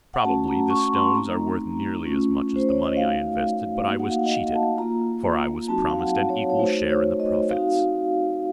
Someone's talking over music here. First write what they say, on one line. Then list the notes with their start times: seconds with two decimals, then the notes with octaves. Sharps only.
Probably the stones are worth nearly as much as the money I invested, but I was cheated, for I was promised an equal share in the profits.
0.14 F#5
0.25 A3 C#4 F#4 A5
0.48 A#5
0.70 C#6
0.93 C6
1.15 A3 C4 D#4 A#5
2.05 A3 C#4 F4
2.56 C5
2.69 C#5
2.83 D#5
2.97 A3 D#4 F#4 F5
3.88 A#3 D#4 F#4
3.99 F#5
4.10 F5
4.26 D#5
4.32 F5
4.55 A5
4.78 A#3 F4 A#5
5.68 F#3 C4 D#4 F#4 A5
5.90 F5
5.99 F#5
6.30 C#5
6.50 C#5
6.59 A3 D#4 F#4 C5
6.90 C#5
7.20 D#5
7.50 C4 D#4 F#4 F5